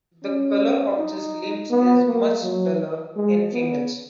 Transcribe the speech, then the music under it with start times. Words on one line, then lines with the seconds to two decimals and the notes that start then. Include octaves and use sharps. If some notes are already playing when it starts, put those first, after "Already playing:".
The colour of these limbs is much duller in females.
0.24 C#4
0.97 D#4
1.70 B3
2.06 A#3
2.43 F#3
3.16 G#3
3.53 B3